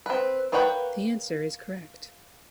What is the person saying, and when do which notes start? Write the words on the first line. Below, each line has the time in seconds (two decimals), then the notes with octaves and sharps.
The answer is correct.
0.06 C4 B4
0.52 A#3 B4 C#5 F#5 G5